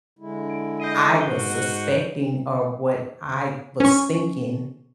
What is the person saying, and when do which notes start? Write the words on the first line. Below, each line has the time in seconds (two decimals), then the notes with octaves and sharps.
I was suspecting or what I was thinking
0.19 D3 G#3 E4
0.48 G#6 D7
0.80 D#5 G6 C7 D#7
1.21 G#2 F#4 G7
1.58 F#6 C#7
3.80 C#4 C#6